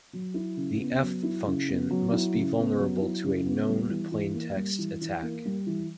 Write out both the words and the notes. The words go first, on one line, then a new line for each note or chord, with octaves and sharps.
The "F" function must be vulnerable to a known-plaintext attack.
F#3
E4
C#3
B3
F#3
E4
C#3
B3
F#3
E4
C#3
B3
F#3
E4
C#3
B3
G3
E3
E3
A#3
G3
E3
E3
A#3
G3
E3